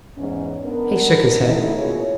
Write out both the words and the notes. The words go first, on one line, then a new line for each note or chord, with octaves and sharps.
He shook his head.
E2 G#2 C#4
B3 D4 A#4
G#3 A3 B3 C#4 D#4 E4
B2 A#3 E4 F4 G#4 C#5